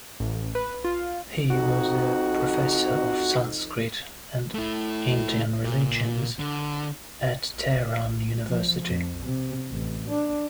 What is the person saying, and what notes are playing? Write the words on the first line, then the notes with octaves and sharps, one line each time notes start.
He was a Professor of Sanskrit and Indian religions at Tehran University.
A1
B4
F4
F2 D#4 F#4
A3 E4
A#2
D3
F3
F2
C3
A1
D4